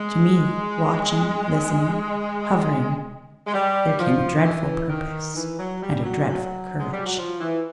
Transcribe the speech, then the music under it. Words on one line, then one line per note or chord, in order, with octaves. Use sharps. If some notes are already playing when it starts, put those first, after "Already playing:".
To me, watching, listening, hovering, there came a dreadful purpose and a dreadful courage.
Already playing: G#3
G#3
G3
F3
E3
D#3
E3
F#3
G3
F#3
F#3
G#3
G3
F#3
F3
E3